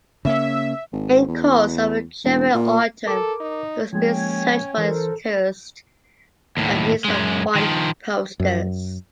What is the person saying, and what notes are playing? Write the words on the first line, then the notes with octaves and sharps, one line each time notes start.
In course of the German Autumn, he was being searched for as a terrorist by means of wanted posters.
C#3 A#3 C#4 E5
G#1
E2
E1
A#2
A4 A#4 D6
D#4
F3 G#3 A#3 C#4 G5 G#6
E3 A4 A#4 C5
D#2 A2
F#2 G#3
D#3 F3
F#2